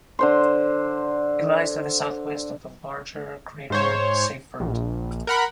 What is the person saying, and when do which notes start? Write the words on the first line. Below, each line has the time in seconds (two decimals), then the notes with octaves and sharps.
It lies to the southwest of the larger crater Seyfert.
0.19 D3 C5 C6
3.70 G#2 C5 C#5
4.60 A#1
5.27 A#4 F#5 B5